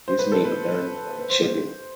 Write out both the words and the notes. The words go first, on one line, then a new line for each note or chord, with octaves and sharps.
This may be done on a schedule.
C5
B4
A4
B4
B4
C5